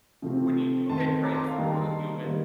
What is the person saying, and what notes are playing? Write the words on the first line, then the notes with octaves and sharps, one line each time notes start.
when you do get transferred to a human
C3 F3 A3 C4
D#3 A3 C4 A5 C6
A#5 D6
A5 C6
F5 A5
D#3 G3 A#3 G5 A#5
A#5
A5 C6
D#3 G3 A#3